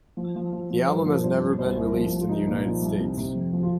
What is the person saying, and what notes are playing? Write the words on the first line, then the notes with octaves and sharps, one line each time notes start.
The album has never been released in the United States.
F3
F3
F3
F3
C5
G2 A#4
F3
G2 C5
G2
C2 C5
C2
A#4
F3 C5
F3
F4
C2 D#4
A#2
F3
C2
C3
C3
F2
F3
F4